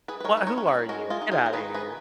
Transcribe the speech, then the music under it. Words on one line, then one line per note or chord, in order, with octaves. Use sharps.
What who are you? Get out of here."
G#4 B4
B4
D#3 A#4 C#5
B4
A#4 C#5
C#4
G#4 B4
G#3 F#4 A#4
F4 G#4
D#4
F4 G#4
A#4
D#3 G#4 B4
G#4 B4